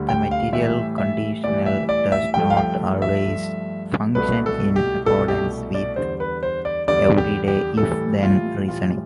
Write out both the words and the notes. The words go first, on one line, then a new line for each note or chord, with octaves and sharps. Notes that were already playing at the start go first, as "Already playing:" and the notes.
The material conditional does not always function in accordance with everyday if-then reasoning.
Already playing: D2 D3 G3
G5
F5
A2 E3 G3 E5
E5
A2 E3 G3 D5
E5
D5
E5
G2 F3 A3 G5
F5
G5
E5
G2 F3 A3
C2 B2 A3 B4
A4
G4
C2 B2 A3 A4
G4
D5
E2 D3 G3 C5
B4
C5
D5
E2 D3 G3 D5
G4
G4
A2 E3 G3 A4
F4
A2 E3 G3 F4